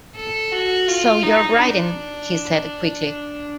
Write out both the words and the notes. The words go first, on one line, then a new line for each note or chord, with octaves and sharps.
"So you're writing," he said quickly.
A4
F#4
F4
D#4
D4